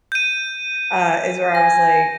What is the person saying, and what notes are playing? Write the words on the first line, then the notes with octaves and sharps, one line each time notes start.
uh, is where I was like,
G6 D#7
G#5 A#6